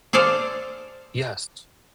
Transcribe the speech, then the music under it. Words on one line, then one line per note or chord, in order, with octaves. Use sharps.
Yes, t
G#4 A4 C5 D5 F5